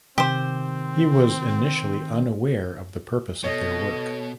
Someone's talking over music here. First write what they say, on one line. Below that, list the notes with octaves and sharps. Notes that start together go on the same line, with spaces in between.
He was initially unaware of the purpose of their work.
C3 D#3 C4 G4 C5
B2 A4 C#5 D#5